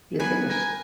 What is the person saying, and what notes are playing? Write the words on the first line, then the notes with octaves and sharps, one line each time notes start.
your fitness.
F#3 G3 B3 B4 G#5
A#4 G5 G#5